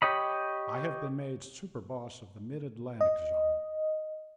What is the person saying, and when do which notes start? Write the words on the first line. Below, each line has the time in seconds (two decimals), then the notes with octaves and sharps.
I have been made Superboss of the Mid-Atlantic Zone.
0.02 G4 C#5 D#5 B5
3.01 D#5